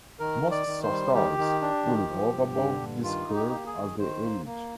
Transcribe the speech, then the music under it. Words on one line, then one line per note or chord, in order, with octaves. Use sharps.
Most stars will evolve above this curve as they age.
D#3 A#4
D#3
D5
D#3
C5
G3
D#3 G4
D#3
D4
D#3
F3
G2
D3
G2
D#3 F4
D#4
G4
A#3
G#4
D#3
D#3 C5
A#3
A#3